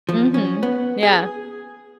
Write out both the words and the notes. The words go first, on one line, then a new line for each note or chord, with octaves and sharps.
Mhm, yeah.
F3
C#4
B3
G#4